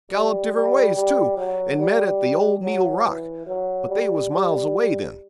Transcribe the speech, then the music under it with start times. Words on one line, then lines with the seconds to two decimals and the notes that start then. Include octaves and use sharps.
'Gallop different ways, too, and met at the old needle-rock. But they was miles away then.'
0.12 G3
0.54 G3
0.95 G3
1.37 F#3
1.79 G3
2.62 F#3
3.05 E3
3.47 F#3
3.89 G3
4.31 G3